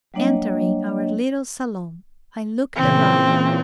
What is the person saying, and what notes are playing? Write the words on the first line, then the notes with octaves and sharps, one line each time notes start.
Entering our little salon, I looked around.
F#3 G3 A#3 D4 C#5 D#5
A#2 C#3 E3 C4